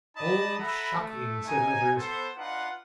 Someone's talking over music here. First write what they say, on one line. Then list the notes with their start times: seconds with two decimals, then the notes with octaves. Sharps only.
"Oh, shocking!" said others.
0.16 D#4 D5 D#5 A5 B5 D#6
0.58 A4 E5 F#5 A#5 B5
0.97 A3
1.48 D#4 G#5
1.97 B3 A4 C5
2.37 D4 D#4 F4 B4 F#5